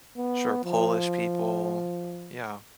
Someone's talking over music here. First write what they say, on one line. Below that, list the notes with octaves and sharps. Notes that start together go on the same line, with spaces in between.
Sure. Polish people. Yeah.
B3
F3